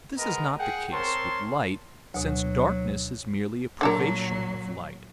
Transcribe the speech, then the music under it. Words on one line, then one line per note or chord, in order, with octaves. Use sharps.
But this is not the case with light since darkness is merely a privation of light.
G#3 B3 A#4 D#5 A#5
G#4 F#5 G5
C4 A#4 C#5 A5 C6
D2 B2 F#3
A#2 D3 F#3 A4 A#4